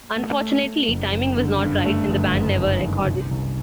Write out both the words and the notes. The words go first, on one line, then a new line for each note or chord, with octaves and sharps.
Unfortunately, timing was not right and the band never recorded.
A3
A3
A3
F#1
F#1
D3
G2
A3
G1
F#1
D#3
F#1
C2
C2